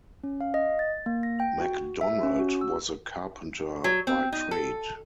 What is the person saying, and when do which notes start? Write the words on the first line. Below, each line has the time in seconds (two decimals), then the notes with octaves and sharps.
Macdonald was a carpenter by trade.
0.24 C#4
0.41 F5
0.54 D#5
0.79 A6
1.06 A#3
1.23 A#6
1.40 G5
1.60 F#4
2.01 E5
2.23 C#4
2.39 F#4
2.61 E6
3.84 F#3
4.07 C4
4.32 D#4
4.51 A4